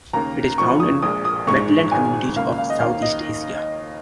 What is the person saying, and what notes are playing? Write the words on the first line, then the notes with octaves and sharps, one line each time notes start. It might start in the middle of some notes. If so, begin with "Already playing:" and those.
It is found in wetland communities of Southeast Asia.
D#2 C#3 A#3 A#5
F1 F2 F3 C#6
D#6
A#1 A#2 G#3 D#6
D#6
A#1 G#2 G#3 C#6
G#1 G#2 D#3 G#3 G#5
C#2 C#3 A#3 F5
F5
D#5
D#2 D#3 A#3 F5
D#5